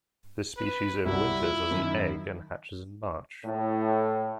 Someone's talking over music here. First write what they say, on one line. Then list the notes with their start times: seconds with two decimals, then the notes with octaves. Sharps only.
This species overwinters as an egg and hatches in March.
0.57 B4
1.06 C2 G3 E4 F#4
1.40 F4
1.71 F#2 D#3
3.44 A2